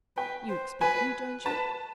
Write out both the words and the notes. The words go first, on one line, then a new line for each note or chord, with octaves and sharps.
'You expect me, don't you?'
B4 G5
C5
B4 G#5
B4 A5